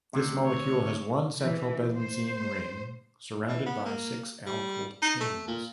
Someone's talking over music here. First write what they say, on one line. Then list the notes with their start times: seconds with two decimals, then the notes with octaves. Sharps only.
This molecule has one central benzene ring surrounded by six alkyl chains.
0.13 D2 C3
0.45 C#5
1.40 E3
1.97 C5
3.48 E3
3.66 B3
3.86 A#3
4.47 G3
5.03 D#4
5.21 A3
5.48 A#2